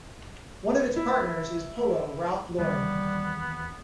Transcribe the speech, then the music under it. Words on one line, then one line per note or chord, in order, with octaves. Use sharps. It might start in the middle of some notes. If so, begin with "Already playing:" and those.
One of its partners is Polo Ralph Lauren.
E4
D#2 E3 G3 B3